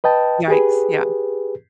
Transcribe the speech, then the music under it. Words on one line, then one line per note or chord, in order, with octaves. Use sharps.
Yikes, yeah.
B4 D#5 G5 A5
G4 G#4 B4